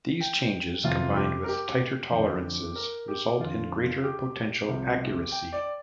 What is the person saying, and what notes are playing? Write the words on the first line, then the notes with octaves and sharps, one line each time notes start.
These changes combined with tighter tolerances result in greater potential accuracy.
G5
F2 C3 F3 F4
G4
A#4
G4
F2 D3 F3
A#4
G4
F2 D3 F3 F4
G4
C2 C3 F3
G5
D5